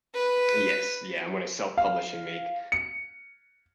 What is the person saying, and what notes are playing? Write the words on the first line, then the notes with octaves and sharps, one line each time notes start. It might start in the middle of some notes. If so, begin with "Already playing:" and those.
Yes yeah, I'm gonna self-publish and make
B4
F5
C#7